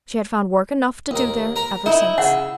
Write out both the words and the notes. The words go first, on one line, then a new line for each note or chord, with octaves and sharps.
She had found work enough to do there ever since.
D#2 A#4
A#4 A#5 B5
D#4 E4
C#3 F#5